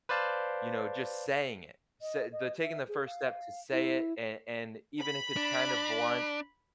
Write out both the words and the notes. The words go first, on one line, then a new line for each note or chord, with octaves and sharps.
you know, just saying it, s they're taking the first step to say it and and even if it's kinda blunt,
B4 C5 D5 F5 A5
D#5
D#5
E5
G#4
F5
E4
B5
D4